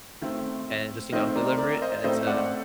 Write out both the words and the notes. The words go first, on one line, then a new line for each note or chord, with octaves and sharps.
and just, you know, deliver it and it's, uh
D#3 A3 C4
D#3 A3 C4 C5 D#5
A#4 D5
A#4 D5
C5 D#5
A2 A3 C4 C5 D#5
D5 F#5